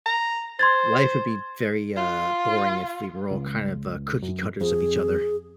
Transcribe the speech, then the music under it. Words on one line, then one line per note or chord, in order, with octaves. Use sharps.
Life would be very, uh, boring if we were all kind of, uh, cookie cutters of each other.
A#5
C5 C6 G#6 A6
F4
C#2
F#2
F2 G#4